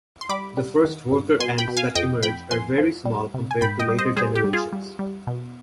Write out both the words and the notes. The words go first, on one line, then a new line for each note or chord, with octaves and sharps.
The first worker ants that emerge are very small compared to later generations.
C6
G3 B5 D6
G3
D#3
G2
B2 G#5 C6
G5 B5
B2
F5 G#5
F2 D#5 G5
F2 G5 B5
F2 G#5 C6
F3
G3
C3
G#5
G#2 G5 B5
D#5 G5
G3
C5 D#5
G3 G#4 C5
G4
G3
F4 G#4
G3
G3
B2